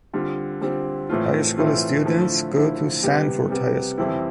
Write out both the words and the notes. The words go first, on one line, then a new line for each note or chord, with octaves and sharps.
High school students go to Sanford High School.
D3 G3 C4 F4
D3 G3 C4 F4
A2 E3 A3 C4 F4
A2 E3 A3 C4 F4
D3 F3 A3 E4
D3 F3 A3 E4
C3 G3 B3
C3 G3 B3
F2 E3 G3 C4 E4